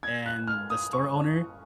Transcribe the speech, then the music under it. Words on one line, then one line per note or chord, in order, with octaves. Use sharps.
and the store owner"
G#6
F#6
F6
D#6
C#6